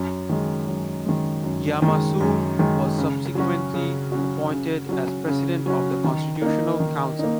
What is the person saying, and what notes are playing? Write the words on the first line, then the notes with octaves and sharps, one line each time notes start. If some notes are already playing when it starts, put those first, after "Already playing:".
Yamassoum was subsequently appointed as President of the Constitutional Council.
Already playing: F#2
D#3 G#3
F#2
D#3 G#3
F#2
D#3 G#3
F#2
D#3 G#3
C#3
F#3 C#4 F#4
C#3
F#3 C#4 F#4
C#3
F#3 C#4 F#4
C#3
F#3 C#4 F#4
D#3
A#3 D#4
D#3
A#3 D#4